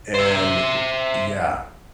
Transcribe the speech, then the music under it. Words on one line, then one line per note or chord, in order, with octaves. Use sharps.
and I yeah,
C5 E5